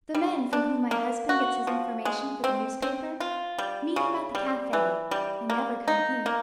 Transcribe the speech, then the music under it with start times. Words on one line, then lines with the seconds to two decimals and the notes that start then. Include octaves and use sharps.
The men from whom my husband gets his information for the newspaper meet him at the cafe, and never come here.
0.14 G3
0.53 D4
0.91 A#3
1.29 F#4
1.67 F3
2.05 G#3
2.44 C4
2.82 C4
3.20 F4
3.58 G3
3.96 C#3
4.35 G3
4.73 E3
5.11 G3
5.50 A#3
5.88 D#4
6.26 A#3